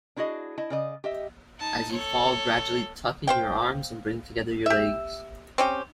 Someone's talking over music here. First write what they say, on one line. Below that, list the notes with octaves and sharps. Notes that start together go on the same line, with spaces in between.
As you fall, gradually tuck in your arms, and bring together your legs.
D4 E4 F#4 G#4 D#5
E4 D#5 A5
C#3 D5 D#5
G4 D#5 E5
D#4 A5
A4 C#5
C5 F5 G5
G4 E5
C4 C#4 G4